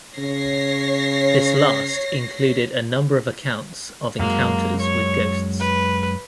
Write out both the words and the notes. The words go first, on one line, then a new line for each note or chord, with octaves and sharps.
This last included a number of accounts of encounters with ghosts.
C#3 C#5 A#6 C7
F#2 F#3 G#3 A#3
C#5
B4